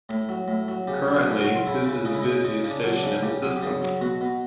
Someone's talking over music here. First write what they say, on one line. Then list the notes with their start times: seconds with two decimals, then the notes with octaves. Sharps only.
Currently, this is the busiest station in the system.
0.09 A2
0.29 F#3
0.48 A2
0.68 F#3
0.87 C#3 G4
1.07 F#3
1.14 G#4
1.27 C#3
1.40 F#4
1.46 F#3
1.55 F4
1.66 C#3 E4
1.86 C#3
2.05 C#3 D#4
2.14 E4
2.22 C#3 D#4
2.44 C#3 D#4
2.64 C#3
2.70 D4
2.84 F#3
2.96 D4
3.03 C#3
3.23 C#3 G4
3.43 F#3 G#4
3.57 G4
3.63 C#3 G#4
3.82 F#3
4.01 B2 F#4
4.21 B2